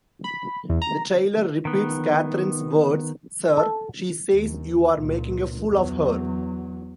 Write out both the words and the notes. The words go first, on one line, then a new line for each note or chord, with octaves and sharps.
The taylor repeats Katherine's words: Sir, she says you're making a fool of her.
B5
E2
A#5
D#3 B3
A4
D#2
C#2 A#2
E2 F#3